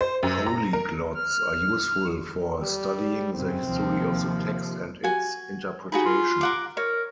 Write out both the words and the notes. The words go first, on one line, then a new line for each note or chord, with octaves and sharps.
Polyglots are useful for studying the history of the text and its interpretation.
C5
F#2
A#5
A#4
F6
G3
F#2 C#3 C4
D#2 C3 F3
F#4 G#5
D#4 F#4 G#4 B5
F4
A#4 F#5 D6
A#4 C#5